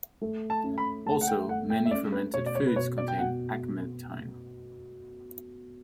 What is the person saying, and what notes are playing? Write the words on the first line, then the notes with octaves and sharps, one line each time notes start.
Also, many fermented foods contain agmatine.
A3
A5
C#4
B5
A3 A5
F#5
G5
A3 F#5
G5
E5
C#4 D5
B4
B2 C#5
D5
C#5
B4
B2 C#5
D5
G5
B2 F#5